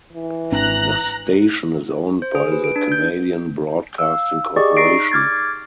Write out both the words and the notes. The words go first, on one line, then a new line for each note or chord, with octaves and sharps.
The station is owned by the Canadian Broadcasting Corporation.
E3
G#1 C4 D4 A#5 F#6
C5
G#4
B4
D7
D4
G6
F5 E6
G4 G#4 D5 D#5 C#6
D#4 C#6 A#6 C7 D7
D6 F6 G#6 A6